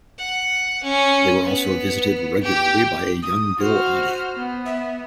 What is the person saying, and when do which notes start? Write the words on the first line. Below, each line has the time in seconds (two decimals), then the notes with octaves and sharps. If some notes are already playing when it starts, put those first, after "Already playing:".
They were also visited regularly by a young Bill Oddie.
0.19 F#5
0.83 C#4
1.45 B3
2.42 G4
3.22 D#6
3.59 F#4 C5 F6
4.36 B3
4.65 E5